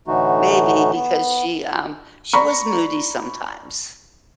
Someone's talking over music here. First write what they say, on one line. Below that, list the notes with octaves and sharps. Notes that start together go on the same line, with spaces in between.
maybe because she, um she was moody sometimes.
A2 D3 E3 A3 D#4 F#4
B3
D5 A#5 B5 C#6